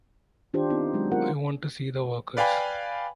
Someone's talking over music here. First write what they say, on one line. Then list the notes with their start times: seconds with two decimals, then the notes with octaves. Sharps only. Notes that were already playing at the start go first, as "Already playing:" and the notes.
I want to see the workers.
0.54 D#3 D4 F4 G4 C5
0.70 B3 C4 D#4 F4
0.94 F#3 G#3 F#4
1.12 B3 F4 A#4 F#5
2.37 B4 D5 F5 G5 G#5 B5